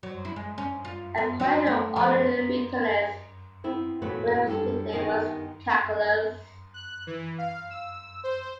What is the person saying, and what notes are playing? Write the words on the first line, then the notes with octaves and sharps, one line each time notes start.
According to Orderic Vitalis, William's nickname was "Calculus".
F#3
E4
G#3
C#4
F4
B3
F#3
A3
F3
B3 C4 E4
E2 A#2 F#3 A3 B4
F#2 G3 D4 F4 A4
D#3 B3 D#4 G4 G#4 A#4
F#6
E3
F5
E6
C5